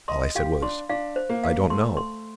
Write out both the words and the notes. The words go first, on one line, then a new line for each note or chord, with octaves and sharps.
All I said was: "I don't know."
D#5 C6
G4 F5
D4 C6
D4 F5
C5
A#3
F5
A3 C6
C6